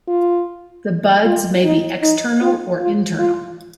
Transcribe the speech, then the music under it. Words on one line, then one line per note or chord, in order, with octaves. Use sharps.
The buds may be external or internal.
F4
F4
D#4
D#4
F4
F4
F4